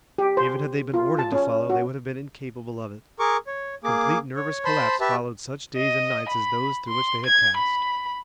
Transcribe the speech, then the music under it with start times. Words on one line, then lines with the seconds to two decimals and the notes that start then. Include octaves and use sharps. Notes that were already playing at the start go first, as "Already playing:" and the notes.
Even had they been ordered to follow they would have been incapable of it. Complete nervous collapse followed such days and nights as those through which they had passed.
0.18 G4
0.37 C5
0.94 F4
1.19 A5
1.32 C#4
1.70 F#4
3.19 G#4 A#4 C#6 D6
3.47 C#5
3.84 A#3 G#4 D6
4.36 C#5
4.65 C5 A5 B5 C6
5.00 G4 B4 E5 A5
5.76 D#5
6.29 B5
6.88 C6
7.26 G#6
7.57 B5